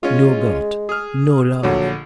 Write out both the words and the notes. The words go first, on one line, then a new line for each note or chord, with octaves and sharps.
No God! no Love!
G#3 C#4 F4
G#4 F6
A#1 D3 F#3